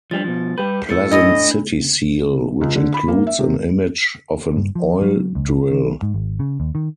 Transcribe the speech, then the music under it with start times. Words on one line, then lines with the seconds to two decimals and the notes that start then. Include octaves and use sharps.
Pleasant city seal, which includes an image of an oil drill.
0.11 F3 G3 D4 A6
0.24 B2 F3
0.58 G3 G4 B4 G6
0.89 A2 E6 A6 C#7
1.11 D4 E4 D#5 B5
2.61 C#2
2.76 D3
2.94 B5
3.08 A#3
3.27 E5
3.39 C3
4.56 G2
4.75 F3
5.02 F#3
5.35 C#2
5.71 D#3
6.03 G#2
6.14 G#1
6.39 C#3
6.60 D#2
6.75 D#3